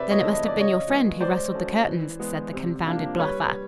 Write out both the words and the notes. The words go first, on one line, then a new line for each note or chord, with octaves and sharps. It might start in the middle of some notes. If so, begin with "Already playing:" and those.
'Then it must have been your friend who rustled the curtains?' said the confounded bluffer.
Already playing: C3 B4 C5 D5 E5
C#5 D#5
E3 A3 C4 E4
D#5
D5
C#3
C#5 D#5
F3 G#3 B3
G#3 C5 D5
C#4 F#4 A4
E3
G#3 B3
C3
F3 A#3 D4
G3 B4 C#5